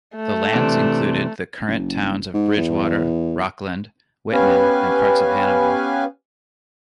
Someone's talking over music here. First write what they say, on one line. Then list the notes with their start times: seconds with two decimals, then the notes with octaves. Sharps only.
The lands included the current towns of Bridgewater, Rockland, Whitman, and parts of Hanover.
0.16 A3
0.53 C3 E3 D4
1.67 F#1
2.34 G#2
2.57 E2
4.33 B3 C#4 G4 B4 F5 G#5